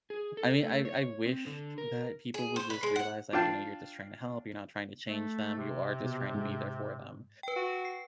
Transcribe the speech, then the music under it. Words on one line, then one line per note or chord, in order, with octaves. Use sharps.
I mean, I I wish that people would just realize that, you know, you're just trying to help, you're not trying to change them, you are just trying to be there for them,
G#4
A4
A3
C#5
C4
D3
A#4
G#4
C5
B4
G#3
F#5
D4 F4 F5 G5 A5
A3
C3
B2
G#2
B4 G5
F#4
C7